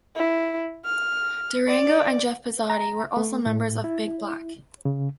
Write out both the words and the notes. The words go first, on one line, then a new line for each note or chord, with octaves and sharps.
Durango and Jeff Pezzati were also members of Big Black.
E4
F6
D5
A#5
A3
A2
E4
C#3